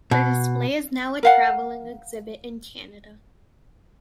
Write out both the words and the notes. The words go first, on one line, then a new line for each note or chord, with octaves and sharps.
The display is now a traveling exhibit in Canada.
B2
A#4 F5 F#5